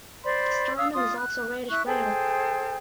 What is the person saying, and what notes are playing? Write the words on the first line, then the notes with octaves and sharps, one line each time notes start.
The sternum is also reddish brown.
C5 D5 B5 C6
F5 D#6 E6
F4 C6 D#6
F#6
E4 C#6 F#6
G#4 A4 C5 G5